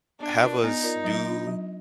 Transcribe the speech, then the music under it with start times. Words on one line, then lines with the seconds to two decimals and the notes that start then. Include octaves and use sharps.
have us do
0.20 B3 D4
0.42 F4 A#4 D5
0.64 B3 D#4
0.83 F4 A#4 D5
1.04 F#3
1.25 D4 F4
1.47 F#3